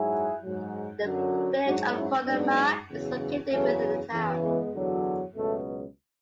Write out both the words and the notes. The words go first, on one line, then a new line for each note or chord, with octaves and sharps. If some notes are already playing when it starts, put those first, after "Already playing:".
The Village of Coloma is located within the town.
Already playing: G#2 F#3 E4 G#4
G#2 F#3
F#2 D3 F#3
G#2 F#3 D4 F#4
C#4 E4
G#2 F#3 B3 D4
E2 C#3 F#3
E2 C#3 F#3 A3 C#4
E2 C#3 E3
G#3 B3
E2 D3 F#3
C#2 B2 F#3 A3